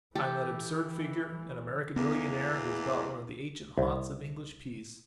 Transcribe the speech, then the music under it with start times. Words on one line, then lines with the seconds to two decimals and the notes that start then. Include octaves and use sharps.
I am that absurd figure, an American millionaire, who has bought one of the ancient haunts of English peace.
0.15 E3 G4 A4
1.96 E2 G#3 A#3 B3
3.78 C2